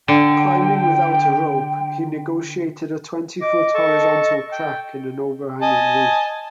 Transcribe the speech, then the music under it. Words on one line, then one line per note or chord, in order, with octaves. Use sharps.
Climbing without a rope, he negotiated a twenty-foot horizontal crack in an overhanging roof.
D3 G5
D#5 D6
A4 A5 C#6
G5
D#5 G#5 A5